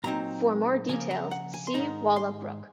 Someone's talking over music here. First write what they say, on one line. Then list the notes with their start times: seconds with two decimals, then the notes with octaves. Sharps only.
For more details see Walla Brook.
0.04 A#2 F#3 C4 D#4 A#5
0.89 C#3 F3 A#3 C#4 G#5
1.11 A#5
1.31 F#5
1.54 G#5
1.67 C6
1.74 G#2 D#3 G#3 D#4 A#5
2.16 C6